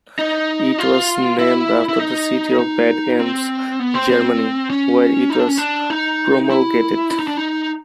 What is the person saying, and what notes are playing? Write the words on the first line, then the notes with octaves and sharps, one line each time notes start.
It was named after the city of Bad Ems, Germany, where it was promulgated.
D#4
F4
E4
E4
D#4
D#4
C4
B3
C4
C4
C#4
D#4
D4
C#4
D4
D#4
E4
E4
D#4
D4
D#4